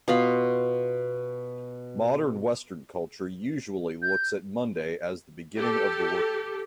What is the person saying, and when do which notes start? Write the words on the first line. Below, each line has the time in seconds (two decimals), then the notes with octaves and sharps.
Modern Western culture usually looks at Monday as the beginning of the workweek.
0.08 B2 F4 F5 B5
4.02 G6
5.58 G4 A4